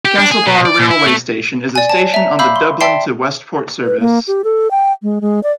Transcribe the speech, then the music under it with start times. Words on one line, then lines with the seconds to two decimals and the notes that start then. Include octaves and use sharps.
Castlebar railway station is a station on the Dublin to Westport service.
0.05 G4
0.18 D4
0.31 G#4
0.46 B2
0.65 D5
0.79 A#2
0.91 E4
1.06 A3
1.76 D5 G#5
1.89 C#5 A5
2.14 E5 A#5
2.39 E5 F5 B5 D6 E6 G6
2.56 C6
2.81 D5 E5 G5 A5 C6 C7
3.85 B4
4.00 A#3
4.28 G4
4.44 A4
4.71 G5
5.02 G#3
5.21 G#3
5.43 D5